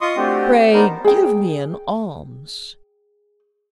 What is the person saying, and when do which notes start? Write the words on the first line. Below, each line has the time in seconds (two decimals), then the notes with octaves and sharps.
Pray give me an alms.'
0.01 F4 D#5 C6 C#6 D#6
0.17 A3 C4 D4 F#4 G4
0.73 B3 D4 D#4 A#4 C5
1.04 G#4 G5